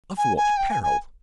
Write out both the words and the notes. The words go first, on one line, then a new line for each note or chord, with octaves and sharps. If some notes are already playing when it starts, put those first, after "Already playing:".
Of what peril?'
G#5
G#5
G5
G#5
G#5